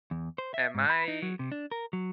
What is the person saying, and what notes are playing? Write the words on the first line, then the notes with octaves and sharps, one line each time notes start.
am I
E2
C5
E5
G#2
B5
D#4
F#3
C3
D4
A#4
F#3